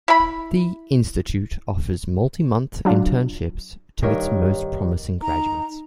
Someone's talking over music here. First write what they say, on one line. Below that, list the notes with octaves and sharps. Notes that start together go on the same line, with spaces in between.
The institute offers multi-month internships to its most promising graduates.
E4 B5
F#3 D4 F4
G2 D#3 A#4 C#5
D#4 A#5